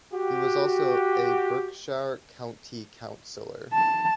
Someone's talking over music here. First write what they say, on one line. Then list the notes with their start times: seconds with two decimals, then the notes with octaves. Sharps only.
He was also a Berkshire County Councillor.
0.13 F#4 G4
3.73 A5